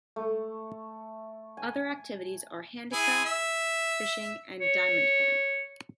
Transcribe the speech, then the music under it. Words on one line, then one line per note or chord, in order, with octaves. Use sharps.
Other activities are handicraft, fishing, and diamond panning.
A3
G#5
E4 G#4 G#5
E5
C#5